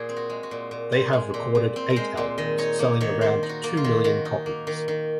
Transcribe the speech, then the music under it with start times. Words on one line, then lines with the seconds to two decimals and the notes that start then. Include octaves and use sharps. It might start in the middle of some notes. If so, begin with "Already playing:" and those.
They have recorded eight albums, selling around two million copies.
Already playing: A#2 G#4 A#4
0.09 C4
0.17 F#4
0.30 G#3
0.43 F#4
0.51 A#2
0.71 A#2
0.92 C4
1.13 G#3
1.34 A#2
1.55 A#2
1.76 C4
1.90 A#4
1.96 G#3 C5
2.17 A#2
2.38 D#3 D#5
2.58 D#4 C#5
2.79 A#3 C#5
3.01 D#3 C#5
3.21 D#3 C5
3.43 D#4
3.49 F#4
3.64 A#3
3.77 F4
3.84 D#3
4.04 D#3 F#4
4.25 D#4
4.46 A#3
4.67 D#3
4.88 D#3